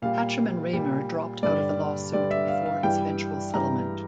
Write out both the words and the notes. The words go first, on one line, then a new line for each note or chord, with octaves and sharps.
Hachem and Raymer dropped out of the lawsuit before its eventual settlement.
A#2 G3 F5
A#2 G3
G2 D3 G3 D5
G2 D3 G3 D5
E5
F5
F5
G2 E3 G3 G5
G2 E3 G3 A#5